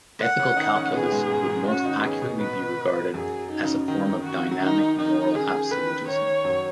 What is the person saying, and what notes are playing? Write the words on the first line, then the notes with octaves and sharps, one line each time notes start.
Ethical calculus would most accurately be regarded as a form of dynamic moral absolutism.
F#5
C#3 C#4
D#3 D#4
C#3 C#4
B2 B3 G#4
G#2 G#3
G#2 G#3
G#2 G#3
C#3 C#4 F#4
D#3 D#4
B3
C#3 C#4 G#4
B2 B3
B2 B3 B4
F#2 F#3 G#4
D#4
C#3
D#3 D#4
F#4
F#3
D#3 D#4
D#3 D#4
C#3 G#4
D#3 B4
D#3
D#3 C#5
F#2 F#3